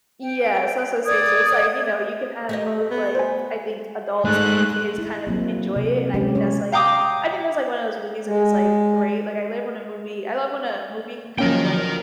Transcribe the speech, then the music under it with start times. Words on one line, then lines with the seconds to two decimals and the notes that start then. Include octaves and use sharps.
Yeah, so so say so it's like, you know, you can have both like, I think adults and kids kind of enjoy it, and I think that's like I think that's like one of those movies that is like great, like, I live when a movie I love when a movie can kind of like
0.20 G5
1.06 D5 D#6 G#6
2.49 A3 G4 D#5
2.91 B3
3.15 C5 G#5
4.25 G#3 A3 D#4 F#6
4.98 E4
5.27 F#3 A#3 C4
5.76 C3
6.14 F#3 G#3 C#4 G4
6.35 C#4 C#5
6.72 F5 G5 A#5 D6 D#6
8.26 G#3
11.39 F3 F#3 A#3 C#4 A#4 G5